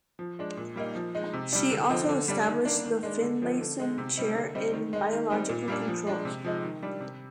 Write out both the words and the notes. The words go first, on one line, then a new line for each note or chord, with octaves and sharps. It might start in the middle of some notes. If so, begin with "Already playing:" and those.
She also established the Finlayson Chair in Biological Control.
F3
G#3 D4
A#2
G3 A#3 D#4
F3
G#3 D#4
C3
G3 D4
D3
F3 C4 D#4
D3
G3 D4
D#3
A#3 D4
D#3
G#3 D4
D3
F3 C4 D#4
D3
G#3 D#4
C3
G3 C4 D#4
D3
G3 C4 D#4
D#3
G#3 D#4
D#3
G3 C4 D#4
A#2
G3 A#3 D4
F3
G#3 D4
C3
F3 G#3 D#4
D#3
G3 D4
C3